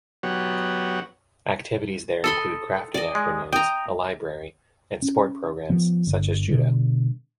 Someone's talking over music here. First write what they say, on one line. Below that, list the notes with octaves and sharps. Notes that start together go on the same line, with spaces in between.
Activities there include crafting afternoons, a library, and sport programs, such as judo.
F#3 B3 G4 C#5 F#5
A4 D#5 B5 C6
D5 D#5
G#3
D#5 G5 A#5
C#4
F3 B3
G1 D3
B2 D3 G3